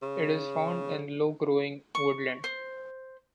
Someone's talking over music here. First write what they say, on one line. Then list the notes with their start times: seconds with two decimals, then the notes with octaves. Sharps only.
It is found in low-growing woodland.
0.02 C#3
1.95 C#6
2.44 C5